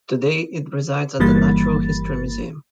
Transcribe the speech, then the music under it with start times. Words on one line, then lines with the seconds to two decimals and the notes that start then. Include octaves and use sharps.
Today it resides at the Natural History Museum.
1.19 G1 E3 G3 A#3 B5 A6